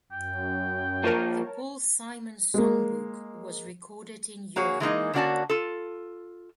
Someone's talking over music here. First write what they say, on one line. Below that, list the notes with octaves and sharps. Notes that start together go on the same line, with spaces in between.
"The Paul Simon Songbook" was recorded in Europe.
F#2 G5
F3 A#3 A#4 C#5 A5
G#3 A#3
A#3 F#4 G#4 C#5
E3 G#3 A#3 D#4
D3 A#3 C#4 F#4 D5 A5
F4 A4